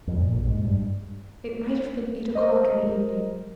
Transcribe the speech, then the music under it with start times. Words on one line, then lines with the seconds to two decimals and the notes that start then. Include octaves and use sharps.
It might have been eight o'clock in the evening.
0.07 F2
0.21 A#2
0.34 A#1
0.47 G#2
0.64 G2
2.35 A#4 C5 D#5